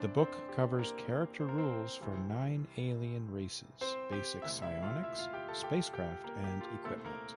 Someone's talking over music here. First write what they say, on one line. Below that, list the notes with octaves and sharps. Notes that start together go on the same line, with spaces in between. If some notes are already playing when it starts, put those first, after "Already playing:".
The book covers character rules for nine alien races, basic psionics, spacecraft and equipment.
Already playing: F1 E2 E3 A3 C4 D4 C5 D5
C4 C5
G4
A#3 A#4
C5
A#4
C4 C5
C2 C3 E3 G3 C4
C4 C5
G4 G5
E1 D2 C3 E4 E5
E4 E5
F4 F5
E4 E5
F4 F5
G4 G5
A4 A5
G4 G5
G4 G5
A#3 A#4
G4
F4
G4
C2 A#2 A3 C4 A4
A#3 A#4